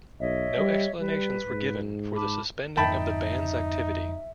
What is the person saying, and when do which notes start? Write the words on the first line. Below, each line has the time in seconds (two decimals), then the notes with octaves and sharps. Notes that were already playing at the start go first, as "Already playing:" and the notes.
No explanations were given for the suspending of the band's activity.
0.20 B1 C#5 D#5 E5
0.57 G3
1.00 G3 B4
1.46 G#2
2.16 A5 B5 D6
2.77 F2 G#2 D3 D#4 E5 G5 A5 B5